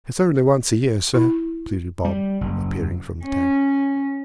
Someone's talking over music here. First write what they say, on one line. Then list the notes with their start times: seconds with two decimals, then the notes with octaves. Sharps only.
"It's only once a year, sir," pleaded Bob, appearing from the Tank.
1.14 E4
2.05 G3
2.41 F#1
3.25 C#4